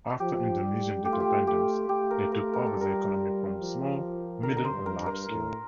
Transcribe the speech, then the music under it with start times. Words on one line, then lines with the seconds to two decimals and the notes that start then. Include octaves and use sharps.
After Indonesian independence, they took over the economy from small, middle, and large scale.
0.20 F3 G4
0.63 G3
1.05 A3 G4
1.13 F4
1.20 G4
1.47 A3 G4
1.89 A3 G4
2.11 A#4
2.32 A#4
2.53 A#4
2.67 A4
2.74 G3
2.81 A#4
3.59 F3
4.43 D3 A#4
4.57 A#4
4.65 C5
4.72 G2
4.86 A#4
4.99 G2
5.06 A#4
5.29 A2